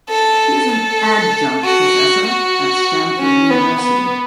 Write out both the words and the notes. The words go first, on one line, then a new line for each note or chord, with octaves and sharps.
He is an adjunct professor at Stanford University.
A4
A4
F#4
F#4
C#4
B3
B3